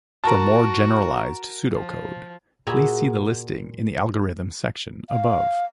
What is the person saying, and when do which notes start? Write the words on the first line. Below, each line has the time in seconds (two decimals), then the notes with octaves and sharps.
For more generalized pseudocode, please see the listing in the Algorithm section above.
0.24 F#4 A#4 A5
1.73 F3
2.67 A#2 F#4 G#4 E5 A#5 B5
5.09 F5